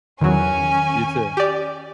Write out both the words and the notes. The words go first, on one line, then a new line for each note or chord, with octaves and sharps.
You, too.
E2 D#3 F#3 C#4 G#5
G4 D5